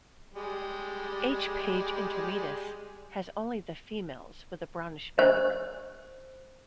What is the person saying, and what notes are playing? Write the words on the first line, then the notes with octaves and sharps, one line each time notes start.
"H. page intermedius" has only the females with a brownish back.
G3 G#3
C5